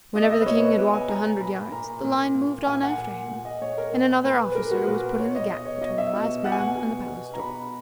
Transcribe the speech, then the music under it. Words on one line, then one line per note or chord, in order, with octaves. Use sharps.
Whenever the King had walked a hundred yards the line moved on after him, and another officer was put in the gap between the last man and the palace door.
B2 D#5
E5
D#5
B4
B2 C#5
B2 B4
G#5
B2 A#5
A#5
A#2 B5
A#2 A#5
A#2
A#2
A#2 G#5
F#5
A#2
A#2
D#5
A#2 C#5
A#4
A#2
A#2 B4
B4
A#2 A#4
F#4
A#2 B4
B2 C#5
D#5
B2 D#5
C#5
B2 D#5
E5
B2
B2 F#5
G#5
F#5
B2
B2
A#5
B2 B5